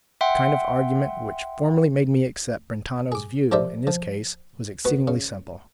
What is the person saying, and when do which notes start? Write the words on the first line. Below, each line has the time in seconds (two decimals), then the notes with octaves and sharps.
The kind of argument which formerly made me accept Brentano's view in this case was exceedingly simple.
0.21 E5 F#5 G5 C6
3.12 G#4 D6
3.52 F3 G4 A#4 C5 D5 E5
3.87 F3
4.85 B3 F#4 B4
5.08 C#3